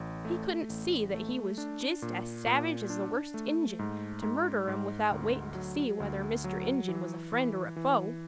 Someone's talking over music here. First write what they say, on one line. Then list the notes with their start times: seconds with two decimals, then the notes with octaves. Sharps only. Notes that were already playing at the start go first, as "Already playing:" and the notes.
He couldn't see that he was jist as savage as the worst Injun, to murder 'em without waitin' to see whether Mr. Injun was a friend or a foe.
Already playing: A1
0.25 A3
0.70 A1
1.14 A3
1.58 D4
2.02 A#2
2.46 A#2
2.90 D4
3.34 A3
3.79 G#2
4.22 G#2
4.68 G#2
5.11 D2
5.55 F#3
6.00 D2
6.44 F#3
6.88 E3
7.32 E3
7.76 E3